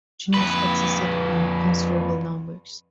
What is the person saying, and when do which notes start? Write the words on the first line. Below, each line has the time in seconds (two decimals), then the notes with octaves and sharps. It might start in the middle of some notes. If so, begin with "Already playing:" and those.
Jinetes existed in considerable numbers.
0.34 F2 B4